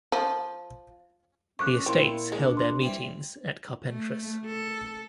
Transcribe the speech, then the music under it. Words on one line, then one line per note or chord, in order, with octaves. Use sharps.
The Estates held their meetings at Carpentras.
F3
F2 C#4 C#6 D6 F#6
A#2 C4 E4
G#3 D4
C6
E3 G3 C4
A3
A4